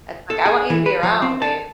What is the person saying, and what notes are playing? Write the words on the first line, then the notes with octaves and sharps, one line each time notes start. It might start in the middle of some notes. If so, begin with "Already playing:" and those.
Uh like, "I want you to be around, babe."
A4
G#4
E3
B4
F3
C4
A5